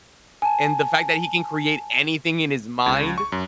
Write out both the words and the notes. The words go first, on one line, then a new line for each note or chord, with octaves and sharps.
and the fact that he can create anything in his mind,
G#5 A5
C#2
C#6
F#2